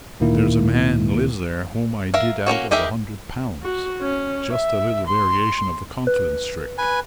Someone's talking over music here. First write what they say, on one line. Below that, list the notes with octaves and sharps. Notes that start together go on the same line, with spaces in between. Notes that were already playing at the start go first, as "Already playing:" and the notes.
There's a man lives there whom I did out of a hundred pounds-- just a little variation of the confidence trick.
D2 A#2 D#3 A#3 E4
A#4 E5 F5
A#3 C4 C#4 F#4
D#4 G4 G#4 A#4 E5
F#4
C#4
E5
C6
B4
B4 G#5